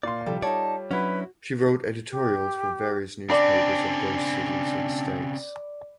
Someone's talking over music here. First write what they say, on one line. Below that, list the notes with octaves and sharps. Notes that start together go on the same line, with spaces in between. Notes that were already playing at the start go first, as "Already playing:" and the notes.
She wrote editorials for various newspapers of those cities and states.
A#2 D5 F5 C6
C3 F3 G3 F4 A4
D#4 C#5 D5 A5
F#3 C#4 D4 E4 F#4 B4
G4
C#3 C4 D4 D5 B5